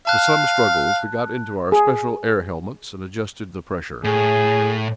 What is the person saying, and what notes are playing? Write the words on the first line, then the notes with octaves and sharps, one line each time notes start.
With some struggles, we got into our special air helmets and adjusted the pressure.
F5 A5 F#6
G#4
A2 G#4